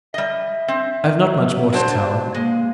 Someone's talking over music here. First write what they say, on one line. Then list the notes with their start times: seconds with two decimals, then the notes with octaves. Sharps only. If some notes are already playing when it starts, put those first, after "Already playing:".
I have not much more to tell.
0.14 G3 D#5 E5
0.68 C4
1.73 F#3 D4 C5
2.34 G#3 A#3